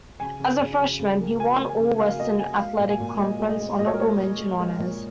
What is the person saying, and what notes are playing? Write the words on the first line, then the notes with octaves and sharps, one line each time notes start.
As a freshman, he won All-Western Athletic Conference honorable mention honors.
C#3 G#5
C#3
C#3
C#3
C#3
A#3
A#3 G#5
A#3
G#5
C#3
A#3 F5
F5
A#3 D#5
A#3 G#5
G#3 F5
A#2
G#5
A#2
G#3 D#5
G#3
D#5
G#3
A#2 D#5
C#5
A#4
G#3 C#5
G#3
G#3
G#3
A#2